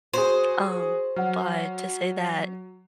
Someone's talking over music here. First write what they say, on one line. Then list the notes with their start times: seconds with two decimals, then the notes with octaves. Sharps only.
Um, but to say that
0.13 F#4 G#4 C5
1.16 F#3 F#5 F6